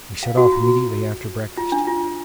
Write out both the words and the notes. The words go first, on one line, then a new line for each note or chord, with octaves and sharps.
We set off immediately after breakfast.
F5
F#4
F4
F4
D4
F4